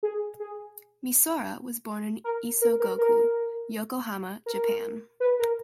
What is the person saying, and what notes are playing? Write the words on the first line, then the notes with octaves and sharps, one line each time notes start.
Misora was born in Isogo-ku, Yokohama, Japan.
G#4
G#4
A#4
A#4
A#4
A#4
A#4
B4
A#4